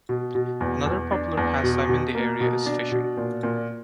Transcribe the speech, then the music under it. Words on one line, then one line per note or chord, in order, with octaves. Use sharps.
Another popular pastime in the area is fishing.
B2
B2
E2
E2
D4
E2
B2
B2
A#3
B2
D4
B2
A#2
A#2